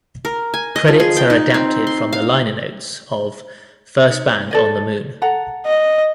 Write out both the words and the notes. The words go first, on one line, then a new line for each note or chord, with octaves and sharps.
Credits are adapted from the liner notes of "First Band on the Moon".
A#4
G#5
D#5
F3
G#4
G5
D#4
C4
C6
F5
D#4
A4 D5 D#5
A4 F#5 A#5
D#5